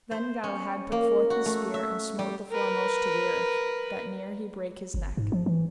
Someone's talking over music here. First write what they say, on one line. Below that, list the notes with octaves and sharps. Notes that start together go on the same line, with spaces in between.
Then Galahad put forth his spear and smote the foremost to the earth, that near he brake his neck.
C5
C#4
A#3
F#4
A3
E5
G3
A#4 B4
G1
G#2
F3
E3